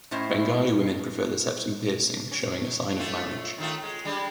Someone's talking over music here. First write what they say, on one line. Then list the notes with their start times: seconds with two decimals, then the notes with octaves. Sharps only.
Bengali women prefer the septum piercing showing a sign of marriage.
0.11 A2 C#4 E4 C5 D#5
2.31 C#4
2.99 A3 C#4 F4
3.58 D#3 A3 F4
3.83 G#3
4.05 G3 G#3 D4